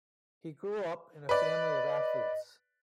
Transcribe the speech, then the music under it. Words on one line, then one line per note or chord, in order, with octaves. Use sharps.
He grew up in a family of athletes.
B4 D5 D#5